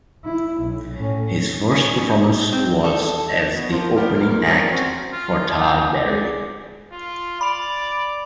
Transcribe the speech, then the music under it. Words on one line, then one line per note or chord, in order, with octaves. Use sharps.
His first performance was as the opening act for Todd Barry.
E4
B1
A2 C#4
C#4
C4
A4
B2
F3 A#3 C5
D2 G3 B3 A#4
E2 A#4
F3 F#3 A#3 C4 C#4 C#5
C4 C#4 F#4
F4
C5 F#5 G#5
G#3 G#4 D5
F4
D5 B5 F7